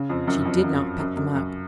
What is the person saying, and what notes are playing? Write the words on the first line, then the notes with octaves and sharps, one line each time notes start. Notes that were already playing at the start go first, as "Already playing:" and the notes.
She did not pick them up.
Already playing: C#3
F2
F#2
F2
F#2
F#2
F#2
F#2